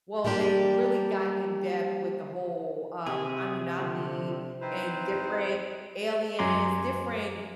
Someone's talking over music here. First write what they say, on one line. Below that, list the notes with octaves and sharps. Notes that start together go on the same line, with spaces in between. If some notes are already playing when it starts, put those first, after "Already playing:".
well, they really got in depth with the whole, um, Anunnaki, and different aliens, different
G3 A#3 D4 G4
C3 G#4
D3 F3 C4
C4 D#4 E4 B4 C5
F#2 F#3 G#5 A#5 C6 D6